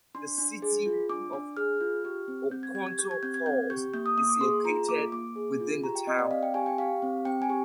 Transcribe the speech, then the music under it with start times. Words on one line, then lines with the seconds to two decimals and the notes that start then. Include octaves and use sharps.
The City of Oconto Falls is located within the town.
0.15 D4 C6
0.38 D4
0.62 G#4
0.86 F4
1.09 D4 D6
1.33 D4
1.57 G#4 F6
1.80 F4
2.05 G4
2.28 C4
2.51 C4 G6
2.63 G#6
2.75 G4 G#6
2.87 G#6
2.99 G4 G6
3.11 G#6
3.23 C4 G6
3.34 G#6
3.46 C4 G6
3.70 G4 G6
3.94 A#3 G6
4.06 D#6
4.17 A#3 D#6
4.29 D6
4.41 G#4 C6
4.65 F4 A#5
4.89 A#3 D6
5.12 A#3 D6
5.36 G#4
5.60 F4
5.83 G4 A#5
5.95 G5
6.07 C4 D#5
6.19 D5
6.31 C4 F5
6.43 G5
6.54 G4 G#5
6.66 G5
6.78 G4 F5
7.02 C4
7.25 C4 G5
7.42 G#5
7.50 G4